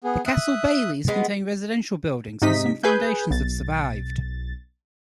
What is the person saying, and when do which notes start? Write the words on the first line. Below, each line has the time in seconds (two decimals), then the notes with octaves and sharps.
The castle baileys contained residential buildings, and some foundations have survived.
0.04 B3 G#4
0.26 E5 D#6 F#6
1.08 G#3 B3
2.42 G#2 C3 D#4 D#5 B6
2.83 G#4 B4 G#5 G6
3.30 B1 A6